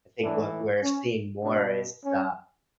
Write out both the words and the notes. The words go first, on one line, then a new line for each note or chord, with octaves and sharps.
I think what we're seeing more is, uh
A2 E3 D4
C#4
B2 D4
C#4